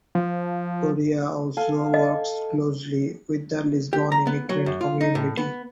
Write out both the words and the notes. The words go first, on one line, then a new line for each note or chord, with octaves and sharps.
Correia also works closely with the Lisbon immigrant community.
F3
A4 F5 G#5
D#5
G4
A#5
B3
F#3
F#2
F4
D#4
A2
B3